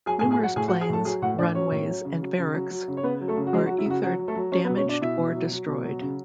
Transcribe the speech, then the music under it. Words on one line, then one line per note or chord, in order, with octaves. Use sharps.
Numerous planes, runways and barracks were ether damaged or destroyed.
F#3 G#4 G#5
G#4 G#5
A2
G#4 G#5
F#3 F#4 F#5
A2 G#4 G#5
F#4 F#5
F#3
G#4 G#5
A2 A4 A5
F#3 G#4 G#5
A2 F#4 F#5
A2 D4 D5
F#3 C#4 C#5
A2
F#3
C#3
F#3
C#3
F#3
F#3
C#3
C#5
C#3 B3 B4
F#3
A3 A4
C#3
F#4
F#3 G#3 G#4
F#4
F#3
E4
C#3 F#4
F#3 F#4
F#3
A3 A4
F#3
F#3 C#4 C#5
B3 B4
B2
C#4 C#5
B2 D4 D5
B2 E4 E5
B2
F#3
F#3
B2
F#3
C#3